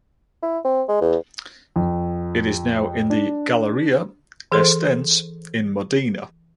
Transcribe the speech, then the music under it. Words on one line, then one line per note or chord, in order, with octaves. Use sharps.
It is now in the Galleria Estense in Modena.
E4
C4
G#3
E2
F2
D4
E3 G#4 A4 C5 C6